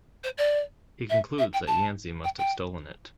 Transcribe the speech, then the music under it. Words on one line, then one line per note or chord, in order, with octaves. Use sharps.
He concludes that Yancy must have stolen it.
C5
D5
E5
E5
G5
A5
G5
G5